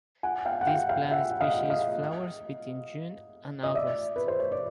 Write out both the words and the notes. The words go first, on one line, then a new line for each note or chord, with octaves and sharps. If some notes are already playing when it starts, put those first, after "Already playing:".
This plant species flowers between June and August.
F#5 G#5
F5 G5
F#5
F5 G5
F5 G5
E5 F#5
D#5 F5
D#5 F5
D#5
D5 E5
B4
C5
C#5
D5